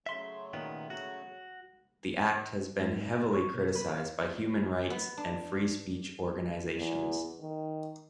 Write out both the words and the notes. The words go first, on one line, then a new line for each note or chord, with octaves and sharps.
The act has been heavily criticised by human rights and free speech organisations.
C#3 F#3 A3 E5 C6
A#2 D#3 B3
F#4
G#2
A#2
C#5
B2
B4
F5
B3
D4
E2
D#3